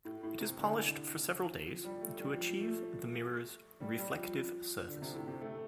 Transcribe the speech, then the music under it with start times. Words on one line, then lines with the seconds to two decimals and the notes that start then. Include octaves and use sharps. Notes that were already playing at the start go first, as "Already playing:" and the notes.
It is polished for several days to achieve the mirror's reflective surface.
0.05 A2
0.23 A2
0.40 C3
0.59 D3
1.66 F3
1.84 G3
2.01 A3
2.20 G3
2.34 F3
2.60 A3
3.80 G3
3.98 G3
4.16 F3
4.87 D3
5.02 C3
5.14 A2
5.28 C3
5.41 A3